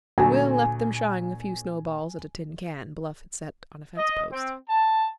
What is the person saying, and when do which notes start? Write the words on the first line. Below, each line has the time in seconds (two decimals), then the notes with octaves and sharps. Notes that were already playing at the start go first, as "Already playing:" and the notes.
Will left them shying a few snowballs at a tin can Bluff had set on a fence-post.
0.18 D2 A#2 F#3 A3 G#5
3.97 D#5
4.31 C4
4.68 A5